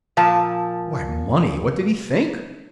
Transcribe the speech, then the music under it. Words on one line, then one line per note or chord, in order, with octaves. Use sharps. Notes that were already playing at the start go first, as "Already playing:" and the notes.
Why, money; what did he think?
A#2 F3 A5